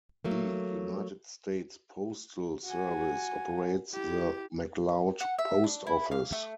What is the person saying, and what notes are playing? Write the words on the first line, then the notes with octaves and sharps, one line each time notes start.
The United States Postal Service operates the McLoud Post Office.
F#3 A3 A#3
F#4 G#5
E4 G4
F#5
E5
D4
E4
F5
A3